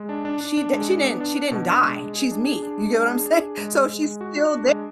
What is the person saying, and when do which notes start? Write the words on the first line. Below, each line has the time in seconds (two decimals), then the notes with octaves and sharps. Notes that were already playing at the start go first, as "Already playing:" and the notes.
She d she didn't she didn't die. She's me. You get what I'm saying? So she's still there
Already playing: G#3
0.09 D4
0.25 D4
0.41 D4
0.57 D4
0.73 G#3
0.89 D4
1.04 B3
1.20 D4
1.36 D4
1.51 B2
1.68 D4
1.84 G#3
1.99 G#3
2.16 G#4
2.31 D4
2.47 G#4
2.63 D4
2.78 G#3
2.94 D4
3.10 G#4
3.26 D4
3.41 G#4
3.58 G#3
3.73 G#3
3.89 G#3
4.05 G#3
4.21 F#4
4.36 F#4
4.52 D4
4.68 G#3